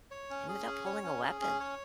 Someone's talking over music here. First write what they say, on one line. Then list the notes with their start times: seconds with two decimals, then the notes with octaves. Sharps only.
he ended up pulling a weapon.
0.11 C#5
0.30 C#4
0.49 G#4
0.66 C#4
0.86 C#5
1.03 C#4
1.22 G#4
1.41 C#4
1.60 C#5